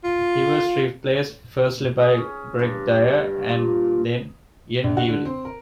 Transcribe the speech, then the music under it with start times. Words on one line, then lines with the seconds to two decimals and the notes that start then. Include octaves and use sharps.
He was replaced firstly by Greg Dyer and then Ian Healy.
0.04 F4
2.01 G#4
2.17 C#4
2.59 G2
3.49 A#2
4.84 A#1
4.97 F#4
5.09 D3
5.25 C4
5.45 A#4